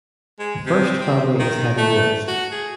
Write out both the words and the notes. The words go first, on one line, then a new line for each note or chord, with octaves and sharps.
The First Family is heading west.
G#3
C3
C4
D#3
A3
F#4
G#4